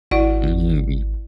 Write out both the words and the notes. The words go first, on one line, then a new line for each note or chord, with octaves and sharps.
Mhm, we
G#1 E4 D5 F#5